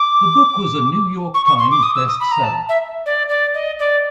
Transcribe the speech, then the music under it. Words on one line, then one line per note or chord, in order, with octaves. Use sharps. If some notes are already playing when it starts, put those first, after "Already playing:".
The book was a "New York Times" best-seller.
Already playing: D6
C#6
C#6
C6
D6
D#6
E6
D#6
B5
A#5
A5
E5
D5
D5
D#5
D5